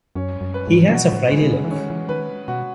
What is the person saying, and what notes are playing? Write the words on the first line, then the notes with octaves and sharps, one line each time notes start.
He has a Friday look.
F#2 C#4
F#2
B4
G#2
C#3
B2 F#4
A2
G#3
B2
C#3
E3
D#3 C#4
E3
D#3 B4
B2 F#4